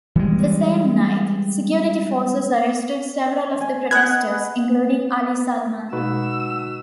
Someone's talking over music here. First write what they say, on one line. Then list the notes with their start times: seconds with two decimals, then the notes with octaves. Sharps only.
The same night, security forces arrested several of the protesters, including Ali Salman.
0.16 E3 G3 G#3
3.61 G#5
3.91 B4 D#5 F#5 F#6 G#6
5.93 B2 G#3 D#4 F#4 B4 E6